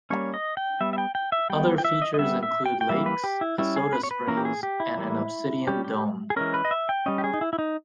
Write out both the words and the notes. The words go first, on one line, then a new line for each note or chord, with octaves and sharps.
Other features include lakes, a soda springs, and an obsidian dome.
G3 A#3 C#4 C#5
D#5
G5
G3 B3 E5
E5
G5
G5
E5
G3 B3 G5
G5
E5
D#5
D#5
G3 B3 E5
E5
G5
G5
E3 G3 A#3 E5
B4
G4
E4
G3 C#4 E4
G#4
B4
C#5
B4
E3 A#3 C#4 A#4
G4
G#4
G4
E4
E3 G3 A#3
G3 C#4 G4
G4
G#4
E3 G#3 C#4 A#4
B4
D#5
E5
G5
G3 C#4 D#5
G4
G#4
D#4
E4
E4
D#4